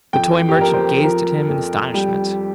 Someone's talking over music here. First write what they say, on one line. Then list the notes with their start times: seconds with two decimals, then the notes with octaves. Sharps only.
The toy merchant gazed at him in astonishment.
0.13 F2 G5
0.49 G4
0.59 F2 A#4
0.73 C5
1.03 F3 A#4
1.49 F2
1.94 G3 G4